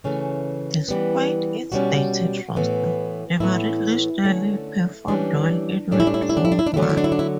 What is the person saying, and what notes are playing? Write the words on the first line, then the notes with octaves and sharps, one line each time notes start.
Despite its dated roster, the Marine Nationale performed well in World War One.
C#3 E3 A3 C#4
E3 G3 B3
B2 G3 C#4 F#4
A2 E3 B3
A2 E3 B3 E4
D3 A3 C#4
E3 G3 C#4 D4
A2 G3 C#4 D4
E4
D4
E4
D4
E4
D4
E4
D4
E4
D4
D3 F#3 A3 C#4 E4
D4
E4
D4
E4
D4
E4